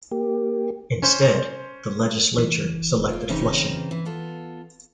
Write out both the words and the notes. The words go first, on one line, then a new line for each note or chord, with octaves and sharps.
Instead the legislature selected Flushing.
A#3 G4
C#4 C5
E3
A#3 F4
C#3 E3 C4 C#4 D#4
E3
B3 F4 A4